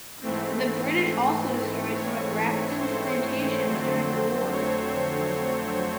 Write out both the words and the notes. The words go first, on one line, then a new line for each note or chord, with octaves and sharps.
The British also destroyed some of Braxton's plantations during the war.
G#2 E3 A3 C4
C#5
C5
F2 D3 F#3 A3 C4
C#5